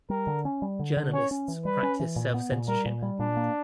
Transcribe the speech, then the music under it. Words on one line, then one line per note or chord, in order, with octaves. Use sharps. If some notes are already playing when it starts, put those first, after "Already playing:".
Journalists practice self-censorship.
G3 A#4
D3
C#4
G3
D3
D3
C#4 C#5
C#4
E3
G3 B4
C#4
E3
A#2
B3
A#2
G3 A#4
A#2
G3
A#2 D4
A#3